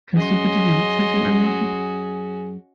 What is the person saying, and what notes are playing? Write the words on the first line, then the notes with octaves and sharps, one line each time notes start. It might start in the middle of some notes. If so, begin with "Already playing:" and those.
Kannst du bitte die Sitzheizung anmachen?
F#2 C#4 F#4 G#4 D#5 C6